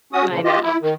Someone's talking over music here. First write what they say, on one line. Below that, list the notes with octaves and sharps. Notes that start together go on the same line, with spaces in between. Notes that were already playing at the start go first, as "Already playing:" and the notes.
I know.
C#4 F#4 D#6
A#2 C#3 F3
F4 G4 D#5
E4
D#3